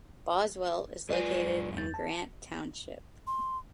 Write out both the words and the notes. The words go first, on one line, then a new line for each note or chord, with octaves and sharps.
Boswell is located in Grant Township.
F#2 G#3 F4 B4 D5 G#5
E2 G6 A6
A5
C6